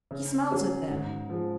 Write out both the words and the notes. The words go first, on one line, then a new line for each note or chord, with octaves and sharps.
He smiles at them.
C#3
F#3 C#4 G#4
G#2
F3 G#3